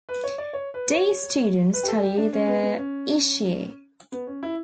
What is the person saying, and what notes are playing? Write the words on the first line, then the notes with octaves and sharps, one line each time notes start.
D. students study there each year.
B4
C#5
D5
C#5
B4
C#5
B4
G4
A4
G4
D4
C#4
B3
B3
C#4
B3
C#4
E4